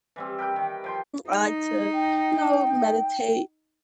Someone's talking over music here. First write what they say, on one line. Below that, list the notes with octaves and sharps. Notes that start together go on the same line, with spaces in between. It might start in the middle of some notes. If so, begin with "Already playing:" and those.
I like to, you know, meditate.
E3 G3 C4
G4 A#4 B4 G5
D#3
F3 G5 C6
D#4
G5